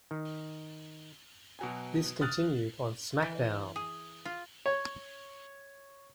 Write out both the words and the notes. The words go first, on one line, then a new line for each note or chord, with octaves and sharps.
This continued on SmackDown!
D#3
B2 F#3 G#5
D#6 F6 F#6 A6
E3
G#4
F4
C#5